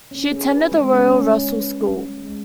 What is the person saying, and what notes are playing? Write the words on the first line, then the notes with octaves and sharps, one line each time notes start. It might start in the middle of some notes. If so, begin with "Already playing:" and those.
She attended the Royal Russell School.
C#4
G#4
B4
G#3
C#4
C#4
G#3
B4
C#4
G#3
G#3